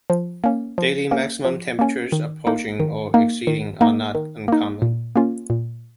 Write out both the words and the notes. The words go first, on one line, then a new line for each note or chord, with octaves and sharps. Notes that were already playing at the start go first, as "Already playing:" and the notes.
Daily maximum temperatures approaching or exceeding are not uncommon.
F3
A#3 C#4
F3
A#3 C#4
F3
A#3 C#4
D#3
A#3 D#4
D#3
A#3 D#4
D#3
A#3 D#4
D#3
A#3 D#4
A#2
A#3 C#4 F4
A#2